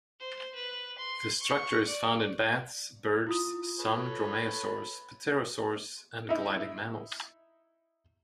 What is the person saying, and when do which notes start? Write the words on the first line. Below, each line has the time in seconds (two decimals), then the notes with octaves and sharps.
The structure is found in bats, birds, some dromaeosaurs, pterosaurs, and gliding mammals.
0.20 C5
0.55 B4
0.98 C6
1.42 C#6
1.88 D5
3.27 E4 F4 D#6
3.79 A4 B4 C#5
6.29 D#4 E4